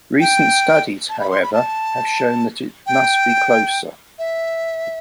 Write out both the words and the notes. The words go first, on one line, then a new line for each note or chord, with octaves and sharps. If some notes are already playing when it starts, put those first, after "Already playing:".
Recent studies, however, have shown that it must be closer.
G5
A5
B5
C6
B5
A5
G5
E5